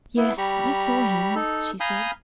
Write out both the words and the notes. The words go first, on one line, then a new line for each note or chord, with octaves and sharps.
"Yes, I saw him," she said.
B3 E4
G3 G4 A#5 B5 C#6
D#4 A4
F5 G#5 A#5 B5 D#6 G6